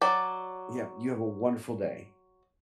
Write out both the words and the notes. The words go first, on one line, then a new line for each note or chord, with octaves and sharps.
Yep, you have a wonderful day.
F#3 D5